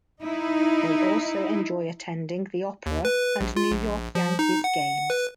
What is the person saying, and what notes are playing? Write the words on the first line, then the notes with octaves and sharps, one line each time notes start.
They also enjoy attending the opera and New York Yankees games.
D#4 E4
D#2
B4
A#1
F4
A#1
F3
D#4
F#5
B4